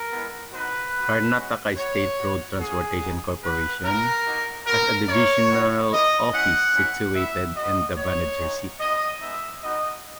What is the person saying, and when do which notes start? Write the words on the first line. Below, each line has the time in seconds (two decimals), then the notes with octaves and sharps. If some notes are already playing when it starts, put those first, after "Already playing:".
Karnataka State Road Transport Corporation, has a divisional office situated in Davanagere City.
Already playing: A#4
0.11 G#3 B3 E4
0.53 B3 D#4 F#4 B4
0.94 B3 F#4
1.35 G#3 C#4 F#4
1.77 B3 F#4 C#5
2.18 B3 F#4
2.59 A#3 C#4 F#4 G#4
3.01 B3 D#4 F#4
3.42 B3 F#4 B4
3.83 B3 E4 A#4
4.25 A#3 D#4 F#4
4.66 B3 F#4 A#4
5.07 A#3 E4 C#5
5.49 B3 D#4 F#4
5.91 A#3 E4 D#5
6.32 G#3 C#4 E4 F#5
6.72 A#3 C#4 E4
7.14 B3 E4 E5
7.55 B3 F#4 D#5
7.97 B3 E4 C#5
8.38 G#3 D#4 F#4
8.79 B3 E4 D#5
9.21 G#3 B3 D#4 E5
9.62 B3 D#4 F#4 D#5